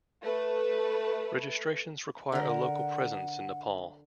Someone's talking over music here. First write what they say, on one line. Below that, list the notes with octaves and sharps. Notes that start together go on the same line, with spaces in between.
Registrations require a local presence in Nepal.
A3 B4
D3 A#4 F#5